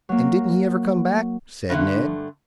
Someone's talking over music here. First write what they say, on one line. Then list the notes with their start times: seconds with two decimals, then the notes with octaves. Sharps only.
"And didn't he ever come back?" said Ned.
0.09 F#3 A#3
1.70 G2 D3 A3